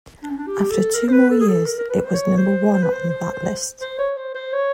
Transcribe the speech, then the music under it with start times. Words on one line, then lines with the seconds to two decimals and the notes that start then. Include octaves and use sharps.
After two more years, it was number one on that list.
0.23 D4
0.31 C#4
0.38 D4
0.47 G4
0.71 A4
0.95 A#4
1.08 C5
1.13 B4
1.30 A4
1.40 G#4
1.48 A4
1.66 A#4
1.78 A#4
1.90 B4
2.04 C5
2.14 C#5
2.38 C5
2.73 C5
2.83 B4
2.93 C5
3.10 C5
3.33 C5
3.81 C5
3.99 C#5
4.17 C5
4.35 C5
4.53 C#5